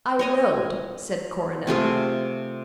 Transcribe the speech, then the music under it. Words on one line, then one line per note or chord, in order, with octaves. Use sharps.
"I rode," said Coronel.
C#5 D#5 G#5
C3 A3 F4 G#4